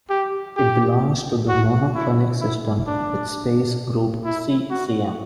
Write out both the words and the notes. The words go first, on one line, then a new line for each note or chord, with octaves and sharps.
It belongs to the monoclinic system with space group C-Cm.
G4
G4
F#4
E4
E4
D4
E4
F#4